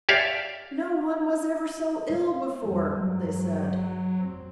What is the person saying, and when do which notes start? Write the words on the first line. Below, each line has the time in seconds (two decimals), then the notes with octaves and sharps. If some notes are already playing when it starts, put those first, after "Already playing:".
"No one was ever so ill before," they said.
0.09 G4 C#5 D5 E5 F5
2.63 F2 G3
2.97 G2 F#3 G#3
4.17 F1 C4